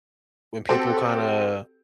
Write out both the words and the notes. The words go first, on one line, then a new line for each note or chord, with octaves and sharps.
when people kinda
C4 F#4 G4 A4